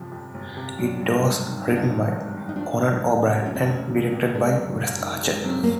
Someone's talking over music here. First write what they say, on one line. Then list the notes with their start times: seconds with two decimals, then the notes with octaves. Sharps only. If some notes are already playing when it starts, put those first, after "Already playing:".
It was written by Conan O'Brien and directed by Wes Archer.
Already playing: G1 F2 C3 F3
0.12 F2
0.34 G1
0.57 C3
0.78 F#3 D4
1.01 G2
1.24 G#1
1.45 D#3
1.68 F#3 D#4
1.76 D4
1.82 D#4
1.90 G2
2.12 G#1
2.34 D#3
2.49 D#4
2.56 F3 D4
2.78 D2
3.01 E1
3.22 C3
3.45 F3 C#4
3.55 C4
3.65 D2 C#4
3.90 E1
4.12 C3
4.34 G#3 D4
4.56 F#2
4.78 F#1
5.00 D#3
5.23 G#3
5.44 F#2 C4
5.63 A#3